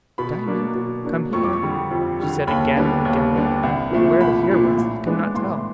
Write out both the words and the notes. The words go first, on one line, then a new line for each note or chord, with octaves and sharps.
"Diamond, come here," she said again and again; but where the here was he could not tell.
B2 B5
F#3 A#3 D4
B2
F#3 A#3 D4
F2 C#6
D6
C#6
D3 G3
F2
D3 G3
D#2 B5
D3 G3 B3 D4
D#2
D3 G3 B3 D4
C2
A#2 F3 A3 D4
C2 B5
A#2 F3 A3 D4
A2
E3 G#3 B3 D4
A2 C6